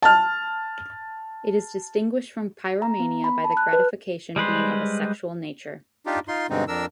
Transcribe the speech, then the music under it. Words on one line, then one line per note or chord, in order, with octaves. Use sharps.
It is distinguished from pyromania by the gratification being of a sexual nature.
A5 F6
A#5
B3
B5
A5
F#6
B4
G3 G#3 B4 C5
D4 D#4 F4 G4
D#4 F4 C6
G2 B2 D3 G#3 C4 D#4
F2 D4 A#4 E6